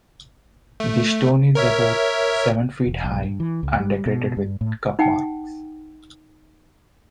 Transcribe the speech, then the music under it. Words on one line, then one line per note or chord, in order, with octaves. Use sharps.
The stone is about seven feet high and decorated with cup marks.
A3
A#4 C#5 E5
E1
B1
G2
E3
C#2
G3
B2
G2
A2
D#4 F#5 G5